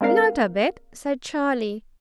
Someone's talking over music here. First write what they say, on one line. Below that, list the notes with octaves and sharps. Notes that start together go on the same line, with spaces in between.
"Not a bit," said Charlie.
G#3 A#3 C4 D4 A#4 F5